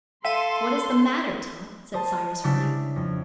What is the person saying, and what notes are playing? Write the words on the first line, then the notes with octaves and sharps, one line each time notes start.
"What is the matter, Top?" said Cyrus Harding.
A4 E5 F5 C6 D#7 E7
C5 D#5 A5 D#6 A6
C#3 G3 D4 E4
F2